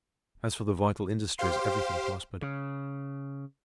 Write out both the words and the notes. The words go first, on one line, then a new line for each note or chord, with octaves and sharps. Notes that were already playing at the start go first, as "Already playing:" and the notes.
As for the vital industries, everything prospered.
G4 C5 F5 C6
C#3